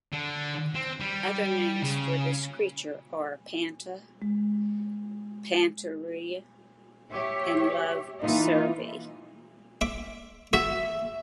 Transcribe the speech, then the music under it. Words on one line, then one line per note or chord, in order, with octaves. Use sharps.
Other names for this creature are pantera, pantere, and love cervere.
D3
C4
G3
C#3
G#3
G4 C#5 E5
E3 A#3 D#4 F4
E5 D6
F#4 E5